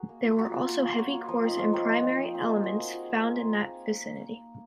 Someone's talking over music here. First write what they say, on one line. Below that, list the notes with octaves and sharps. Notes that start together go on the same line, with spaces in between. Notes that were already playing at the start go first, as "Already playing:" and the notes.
There were also heavy cores and primary elements found in that vicinity.
Already playing: F#4 G#4 A#4
A#3
F4
A#3 F#4 A#4
F4
A#3
F4
A#3 A#4 C#5
F4
F3 A#4 C#5
C4 D#4
F3 C#5 F5
C4 D#4 A#4 C#5
F3
C4 D#4
F3
C4 D#4
A#3 G#4 C5
F4 F#4 A#4
A#3
F4
A#3
F4
A#3 F4 G#4